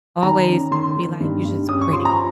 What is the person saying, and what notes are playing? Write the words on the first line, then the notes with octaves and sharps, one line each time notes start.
always be like, "You're just pretty,
D#3 A#5
C#4
D#3 C6
D#3
G2
G2
C#4 D#6
C#6
F3 C6
A#5